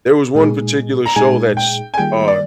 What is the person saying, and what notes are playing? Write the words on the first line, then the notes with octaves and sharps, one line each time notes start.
there was one particular show that's, uh,
A#2 G#3 D#4 G#4
A#5
A#2 G#3 D#4 G#4 G#5
G5
G#5
D#3 G3 A#3 F4 G#4 G5
D5